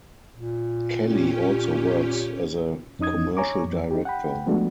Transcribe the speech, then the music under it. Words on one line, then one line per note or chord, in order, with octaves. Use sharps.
Kelly also works as a commercial director.
A#2
C#4 G4
F2 C#4 D#4 D#6 G#6
C#5 G#5 A#5 C#6 D6
F2
D#4 G4
F#5 G5 B5
F3 G#3 A3 B3 D4 F#4